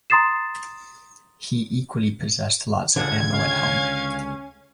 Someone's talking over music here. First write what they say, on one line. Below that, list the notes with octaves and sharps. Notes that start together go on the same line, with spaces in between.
He equally possessed lots of ammo at home.
A#5 C6 D#6 A6 C7 E7
C#2 D3 F#5 G#6
C#4 F5